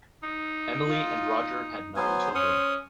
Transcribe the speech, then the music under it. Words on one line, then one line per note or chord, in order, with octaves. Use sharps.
Emily and Roger had nine children.
D#4
F4
F#3 B3 C5 G#5
C#4 D#6